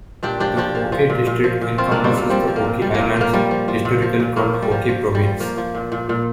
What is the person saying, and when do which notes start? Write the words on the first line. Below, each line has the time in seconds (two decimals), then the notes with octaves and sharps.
The Oki District encompasses the Oki Islands, historically called Oki Province.
0.23 A#2 D4 G4
0.40 F3 D4 G4
0.57 F3 D4 G4
0.75 F3
0.92 F3
1.10 A#2
1.27 A#2
1.44 F3
1.61 A#2
1.78 F3 C4 F4
1.91 A#2 A#3 D4
2.04 G3 C4
2.13 A#2 A#3
2.29 F3 G3 C4
2.48 F3
2.56 A#3
2.64 A#2
2.82 F3 G3
2.94 A#2 A#3
3.16 F3 A#3
3.33 F3 G3
3.51 F3
3.68 F3
3.85 A#2
4.02 F3
4.20 A#2
4.36 A#2 A#3
4.54 F3
4.62 G3
4.71 F3
4.89 F3
5.06 F3
5.15 G3
5.23 F3
5.40 F3 A#3
5.57 F3
5.75 A#2
5.92 A#2
6.09 A#2